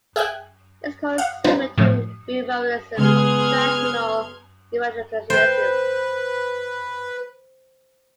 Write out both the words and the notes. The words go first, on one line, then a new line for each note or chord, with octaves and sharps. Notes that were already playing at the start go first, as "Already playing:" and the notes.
It is also similar to the revivalism of traditional Evangelicalism.
G#4 E5 G5 G#5 F#6
F5 F#5
G3 C4 D#4 F4 B4 C5
A2 F3 A3
C#3 G#3 B3 G#4 C6 F6 G#6
B4 C5 G5